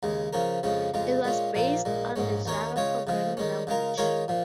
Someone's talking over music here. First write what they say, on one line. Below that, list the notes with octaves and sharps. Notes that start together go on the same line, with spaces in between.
It was based on the Java programming language.
D#2 C#3 G#3
C#3 F3 C#4 A#4
F2 C#3 F3 G#3 C#4
F2 C#3 G#3 F4
A#2 G#3 C#4 F4
A#1 A#2 F3 A#3
A#1 A#2 G#3
A#1 G#2 G#3 C#4
D#2 D#3 C#4 A#4 C#5
C#3 G#3 F4 C#5
C#3 F3 G#3
D#3 G#3 C#4
C#3 G#3 F4 A#4
D#3 G#3 F4 A#4 C#5
A#2 F3